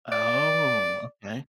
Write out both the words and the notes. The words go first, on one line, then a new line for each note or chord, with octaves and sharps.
Oh, okay.
D5